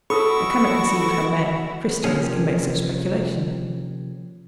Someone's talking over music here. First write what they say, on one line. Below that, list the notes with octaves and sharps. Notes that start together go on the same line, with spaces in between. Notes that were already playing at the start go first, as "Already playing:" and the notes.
I cannot conceive how men, Christians, can make such speculation.
E4 F#4 A4 B5 C#6 D#6 E6
C3 F3 A#3 C#4 G#4